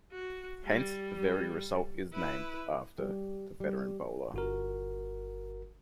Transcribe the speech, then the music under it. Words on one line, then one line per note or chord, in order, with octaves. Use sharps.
Hence, the very result is named after the veteran bowler.
F#4
G3
E4 B4
G3
G3
G1 F#4 A#4